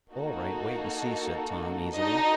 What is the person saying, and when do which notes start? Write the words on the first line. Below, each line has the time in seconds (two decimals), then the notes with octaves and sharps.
"All right, wait and see," said Tom, easily.
0.13 A#3 D#4 F#4 A4
1.96 D4 D#4 F#4 A4 D#5